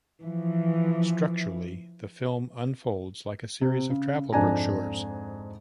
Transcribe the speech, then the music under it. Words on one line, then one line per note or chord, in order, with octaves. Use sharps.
Structurally, the film unfolds like a series of travel brochures.
E3 F3
C3
C#3
F2 G#2 D4 G#5 A#5